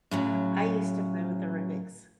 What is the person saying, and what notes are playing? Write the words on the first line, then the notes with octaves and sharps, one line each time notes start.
Yeah. I used to play with the Rubik's
A2 C#3 F#3